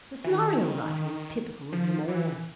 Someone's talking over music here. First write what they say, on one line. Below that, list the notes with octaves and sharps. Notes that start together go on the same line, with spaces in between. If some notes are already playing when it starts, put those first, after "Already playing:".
The scenario writer was typical of them all.
E3
D#3
F3
E3